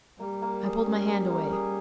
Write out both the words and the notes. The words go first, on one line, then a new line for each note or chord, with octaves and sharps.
I pulled my hand away.
G3 A#3
A#3
G#4
C#4
A#3
A#3
G#4